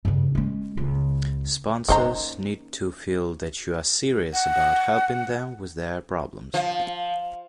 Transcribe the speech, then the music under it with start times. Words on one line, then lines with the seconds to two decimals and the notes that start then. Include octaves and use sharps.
Sponsors need to feel that you are serious about helping them with their problems.
0.05 G2 C#3
0.35 G#3 C#4
0.77 C#2
1.88 D#3 A#3 C#4 C5 A#5
4.33 F#5
6.54 F3